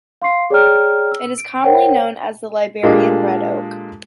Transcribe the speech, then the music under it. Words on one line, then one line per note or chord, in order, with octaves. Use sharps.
It is commonly known as the Liberian red oak.
F5 C6 C#6 C7
G#4 C#5 D5 G5 A#5 F6
E6
D7
A#4 C5 C#5 F#5 G5
A#2 G#3 A#3 D4 G4 A4